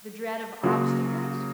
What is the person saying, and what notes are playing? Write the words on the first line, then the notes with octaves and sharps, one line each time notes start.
The dread of obstacles?
C#3 F#3 A#3 F#4